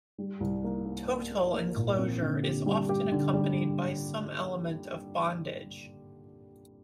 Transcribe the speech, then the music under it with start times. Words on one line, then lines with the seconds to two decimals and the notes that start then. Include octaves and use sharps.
Total enclosure is often accompanied by some element of bondage.
0.18 G3
0.41 C2
0.64 A#3
0.86 A#3
1.08 A#3
1.31 A#3
1.53 A#3
1.77 A#2
1.98 C4
2.21 D3
2.43 G4
2.66 G3
2.89 G4
3.12 D3
3.33 G3